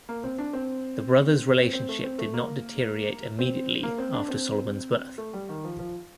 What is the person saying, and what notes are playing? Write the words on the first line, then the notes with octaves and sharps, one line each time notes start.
The brothers' relationship did not deteriorate immediately after Solomon's birth.
A#3
C4
D4
C4
C4
C4
A3
C4
A3
A#3
C4
A#3
C4
D4
C4
A3
G3
D#3
F3
F3